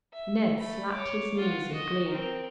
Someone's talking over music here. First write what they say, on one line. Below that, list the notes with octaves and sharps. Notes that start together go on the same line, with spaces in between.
Ned slapped his knees in glee.
E5
A3 B5
C#5 D6
F4 F#5
F#4 D#5
C4 A#4